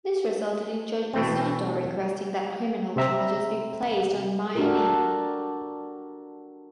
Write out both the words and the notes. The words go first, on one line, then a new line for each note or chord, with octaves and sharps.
This resulted in Judge Zondo requesting that criminal charges be placed on Myeni.
B2 E3 A3 C4
C3 C4 E5 A#5
D4 F#4 G4 A4 A#4